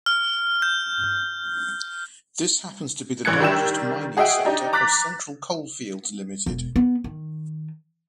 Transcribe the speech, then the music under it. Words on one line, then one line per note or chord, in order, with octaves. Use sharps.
This happens to be the largest mining sector of Central Coalfields Limited.
F6
G6
A1 E3 F#6 G#6 C#7
D#3 G3 D4 G4 E6 E7
F#4 G#4 D#5 E5 F#5 G5
D4 D#4 G4
A#5 D6 F#6 A6 B6
E1
B3
D#3